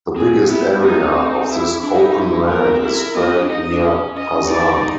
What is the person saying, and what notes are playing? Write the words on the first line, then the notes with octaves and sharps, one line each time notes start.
The biggest area of this open land is spread near Pasan.
C4 G#4
B3 E4
B3 D#4
C4
E4
D4 E4
D#4
D#4
E4
B3 A#4
B3
C4
E4 A#4
B3 D#5
C4
C#4
D4
D#4 D#5
D4
C#4
D#5
D#4 D5
E4
D#4
D#4